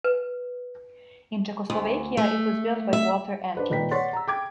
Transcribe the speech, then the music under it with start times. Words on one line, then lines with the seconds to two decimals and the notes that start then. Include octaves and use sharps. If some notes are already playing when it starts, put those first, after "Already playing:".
In Czechoslovakia it was built by Walter Engines.
0.04 B4
1.70 D2
2.17 A3
2.93 E5
3.55 D4 B4 C5
3.70 A#2 D#3 B4 G5 B6
3.91 C#5 D5 F#5 C6 C#6 A6
4.13 A#5 E6
4.28 G5 D6 G#6